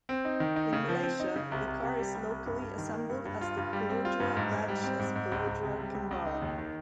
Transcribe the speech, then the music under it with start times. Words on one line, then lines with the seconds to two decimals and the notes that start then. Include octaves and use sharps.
In Malaysia, the car is locally assembled as the Perodua badge as Perodua Kembara.
0.09 C4
0.25 D#4
0.40 D#3
0.56 D#4
0.73 C#3
0.89 F3
1.03 C4
1.20 D#4
1.36 C#3
1.52 C2
1.67 C2
1.83 C3
1.99 G3
2.15 C2
2.30 C2
2.46 G2
2.62 G2
2.78 D#3
2.94 A#3
3.10 G2
3.26 G2
3.41 F4
3.57 G2
3.73 G3
3.89 C4
4.05 F4
4.20 G2
4.37 G#2
4.52 G#2
4.68 G3
4.83 C4
4.99 G#2
5.16 G#2
5.32 C#2
5.47 C#2
5.63 C3
5.79 G3
5.95 C#2
6.11 C#2
6.27 D#4
6.42 D#2
6.58 D#3